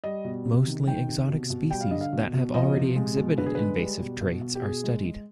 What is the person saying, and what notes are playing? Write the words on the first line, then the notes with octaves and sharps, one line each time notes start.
Mostly exotic species that have already exhibited invasive traits are studied.
G3 D#5
B2
C3
D#3
D#3 G5
C3
B2
B2
G3 G5
F5
D3 D#5
F5
B2
B2
F3 D#5
C3
G#3
B2
D3 B4
G#4
G#3 B4
G3
B2
B2
B2
G4
B2 G#4
G#3
G#3